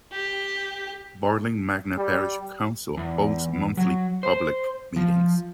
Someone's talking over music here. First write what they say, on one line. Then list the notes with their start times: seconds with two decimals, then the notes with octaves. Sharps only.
Barling Magna Parish Council holds monthly public meetings.
0.12 G4
1.97 G3
2.97 E2
3.77 F#3
4.23 C5
4.96 F3